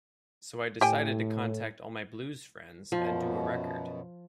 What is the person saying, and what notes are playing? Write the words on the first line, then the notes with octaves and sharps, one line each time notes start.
So I decided to contact all my blues friends and do a record.
A2 G4 G5 G#5
F#2 B2 F3